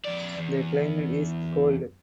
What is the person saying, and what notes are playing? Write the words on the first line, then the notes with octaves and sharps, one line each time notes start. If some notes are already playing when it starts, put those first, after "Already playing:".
The climate is cold.
F2 D5
E2